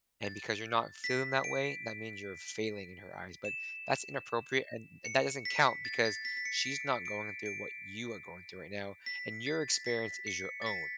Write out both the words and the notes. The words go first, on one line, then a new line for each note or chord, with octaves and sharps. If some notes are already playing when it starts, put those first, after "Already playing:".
And because you're not feeling that way, that means you're failing in her eyes. But that's inappropriate, an and that doesn't count because she's not going through what you are going through right now, and your experience is your own.
A6
B6
D7
E7
C#7
B6
A6
A6
B6
B6
C#7
D7
D7
D7
B6
A6
B6
C#7
A6
B6